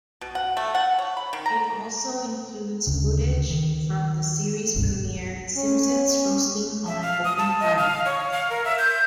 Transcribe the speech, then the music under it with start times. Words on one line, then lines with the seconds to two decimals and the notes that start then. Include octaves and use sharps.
It also includes footage from the series premiere "Simpsons Roasting on an Open Fire".
0.21 B2
0.35 F#5
0.57 A3
0.75 F#5
0.99 C#5
1.17 B5
1.33 D#3
1.46 A#5
2.87 D2 C#3
3.50 D#3
4.76 C2 G2 B2
5.56 C#4
6.87 E5
7.02 F5
7.25 D#6
7.38 A5
7.60 D#5
7.78 F5
8.05 C#5
8.32 F5
8.50 A#4
8.65 E5
8.78 G6